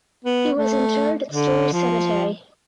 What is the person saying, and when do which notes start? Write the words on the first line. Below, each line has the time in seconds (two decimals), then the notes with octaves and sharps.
He was interred at Storrs Cemetery.
0.25 B3
0.56 A3
1.31 D3
1.73 F3